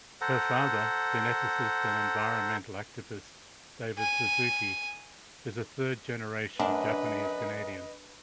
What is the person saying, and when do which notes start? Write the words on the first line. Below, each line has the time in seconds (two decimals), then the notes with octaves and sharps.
Her father, geneticist and environmental activist David Suzuki, is a third-generation Japanese Canadian.
0.21 A4 C5 F#5 A#5
3.98 G#5
6.60 F#2 D4 B4 D#5